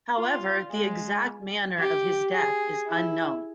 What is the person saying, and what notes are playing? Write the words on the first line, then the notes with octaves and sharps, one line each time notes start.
However, the exact manner of his death is unknown.
F4
G#3
G4
G#4
E4